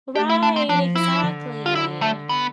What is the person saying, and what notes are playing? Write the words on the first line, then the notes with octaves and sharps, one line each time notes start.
Right, exactly.
A3 G4
E4
D4
C4
F3 D4
E4
D3
F4
E4
A3
B3